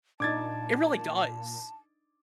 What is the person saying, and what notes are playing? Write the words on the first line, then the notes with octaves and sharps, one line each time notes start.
It really does.
A#2 D4 D#4 A5 D6 G#6 A6